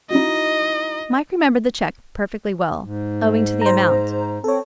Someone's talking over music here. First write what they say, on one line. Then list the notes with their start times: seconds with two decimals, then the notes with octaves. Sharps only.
Mike remembered the cheque perfectly well, owing to the amount.
0.10 D#4 E4 F#4 D#5
2.84 G#2
3.61 C5 A#5
4.44 C4 A4 C#5